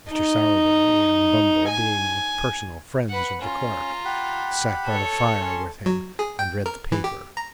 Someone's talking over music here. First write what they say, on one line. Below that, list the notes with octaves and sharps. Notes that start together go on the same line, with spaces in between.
Mr. Sowerberry and Bumble, being personal friends of the clerk, sat by the fire with him, and read the paper.
D#4
G#5
B4 F#5
C#4 F4 A#5
G4 F#5 B5
A4 C#5
C#4 C6
F#3
G#4
G5
A#4
E3
G4
A#5